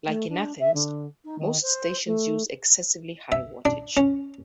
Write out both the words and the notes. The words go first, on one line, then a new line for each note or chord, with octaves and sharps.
Like in Athens, most stations use excessively high wattage.
A3
D4
E5
D3
D#4
D#3
C5
A3
E5
D4
C#4